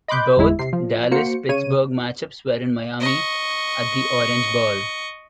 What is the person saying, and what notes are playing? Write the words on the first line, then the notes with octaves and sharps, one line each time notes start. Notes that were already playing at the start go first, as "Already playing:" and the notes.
Both Dallas-Pittsburgh matchups were in Miami at the Orange Bowl.
D#5 B5 C6 D6 F#6 G6
G1 E2 G#3 E4
C3 C7
F3
A#3 F#4 C5 C#7
C#3 C#5 D#7
D#5 C#6